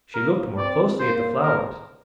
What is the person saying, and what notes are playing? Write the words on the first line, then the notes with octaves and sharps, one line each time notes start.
She looked more closely at the flowers.
A#3 A#4
C4 D5
A#3 C5
A#4